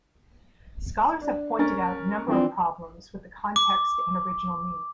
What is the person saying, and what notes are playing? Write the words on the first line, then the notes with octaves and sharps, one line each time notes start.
Scholars have pointed out a number of problems with the context and original meaning.
D4
C#4 A#4 A6
E3 F3 C4 D4
D6